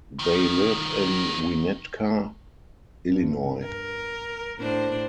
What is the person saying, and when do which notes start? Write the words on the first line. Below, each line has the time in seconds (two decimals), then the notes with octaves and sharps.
They live in Winnetka, Illinois.
0.19 D#3 F3
3.09 G2
3.62 A#4
4.58 A2 D4 C5